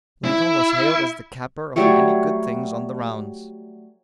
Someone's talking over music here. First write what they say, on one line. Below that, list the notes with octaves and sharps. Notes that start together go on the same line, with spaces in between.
Lincoln was hailed as the "capper" of any "good things on the rounds."
E4
F#3 G3 A3 C#5